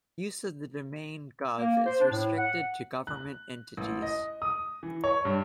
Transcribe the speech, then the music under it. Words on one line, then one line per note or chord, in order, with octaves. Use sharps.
Use of the domain "gov" is restricted to government entities.
A#3
C5
D4
A2
F#5
F#6
A1
D#5
D#6
E3
C#5
G2